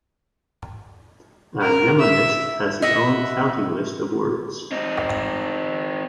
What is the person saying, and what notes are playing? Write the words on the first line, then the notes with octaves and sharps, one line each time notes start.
A mnemonist has his own "counting list" of words.
A#4
E5
D#5 E5 F#5
C4 D#4